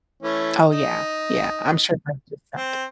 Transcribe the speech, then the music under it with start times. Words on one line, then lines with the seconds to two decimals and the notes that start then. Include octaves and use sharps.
Oh, yeah, yeah, I'm sure that's just something
0.23 E3 A3 C#4
0.71 D#4
2.57 C4